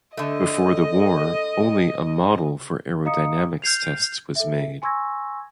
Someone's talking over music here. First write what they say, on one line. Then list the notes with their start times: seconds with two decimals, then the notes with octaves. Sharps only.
Before the war, only a model for aerodynamics tests was made.
0.17 D3 A3 D#5
3.05 D#5 F5 A#5 D#6 C#7
3.62 F6 G6 G#6 C7 F7
4.36 A4 E5
4.82 G#5 C6 C#6 E6 G#6 A#6